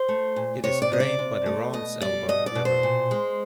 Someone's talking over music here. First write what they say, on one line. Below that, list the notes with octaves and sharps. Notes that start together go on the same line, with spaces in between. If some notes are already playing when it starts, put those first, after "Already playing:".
It is drained by the Randselva river.
Already playing: C5
A3
A#2
C3 C#5
D5
C3 D#5
D5
C3
A3
B2 D#5
G3 D5
B2 D#5
D5
B2
C5
A#2
G#3